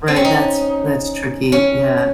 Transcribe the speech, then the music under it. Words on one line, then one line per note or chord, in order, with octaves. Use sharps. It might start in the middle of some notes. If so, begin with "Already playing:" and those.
Right, that's that's tricky. Yeah.
C4
C#4
D#4
C#4